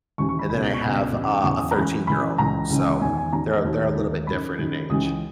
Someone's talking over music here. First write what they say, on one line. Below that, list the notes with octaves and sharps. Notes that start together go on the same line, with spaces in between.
and then I have a a thirteen-year-old, so they're a they're a little bit different in age.
D#2 C#3 E3 C#6
C#6
B5
C#2 B2 B5
C#6
C#2 B2 B5
E2 C#3 E3
E2 C#3 E3 C#6
D#6
A#5
F#2 E3 B5
F#2 E3 B5
C#2 C#3 E3 A#5
C#2 C#3 E3
E2 D#3 G#5
G#5
E2 D#3 A#5
D#2 D#3
D#2 D#3
F#2 D#3 B5
F#2 D#3
C#2 C#3 E3 D#6